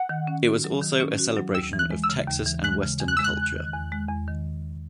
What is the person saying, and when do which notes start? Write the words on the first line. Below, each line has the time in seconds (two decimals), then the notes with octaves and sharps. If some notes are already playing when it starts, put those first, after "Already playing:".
It was also a celebration of Texas and Western culture.
Already playing: F#5
0.09 D#3
0.27 C#4
0.46 F#4
0.64 F#3
0.82 D#3
1.00 C#4
1.19 F#4
1.37 F#3
1.54 D#2 E6
1.73 E3
1.79 F#6
1.91 G#3
2.04 E6
2.10 C#3
2.28 D#2
2.46 E3
2.64 G#3 F#6
2.82 C#3
3.00 E2
3.08 F#6
3.17 G#3 E6
3.24 F#6
3.37 E2
3.56 D#3
3.73 E2
3.92 G#3
4.09 E2
4.28 D#3